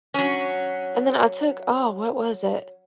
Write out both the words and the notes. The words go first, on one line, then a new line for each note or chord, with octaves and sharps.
And then I took Oh, what was it?
F#3 C#4